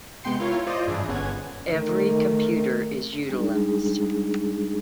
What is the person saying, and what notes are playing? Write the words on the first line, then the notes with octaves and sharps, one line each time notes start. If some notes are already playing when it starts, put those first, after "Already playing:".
Every computer is utilized.
C3 G#3 B3 G5 C6 C#7
E4 F4 A#4 C#5
F4 C5 D5 D#5
G#1 G2 E3 D4 E4 G#4
G1 B3 C#4 F#5 G#6
D#3 A3
G3 G#3 D4 D#4 G#4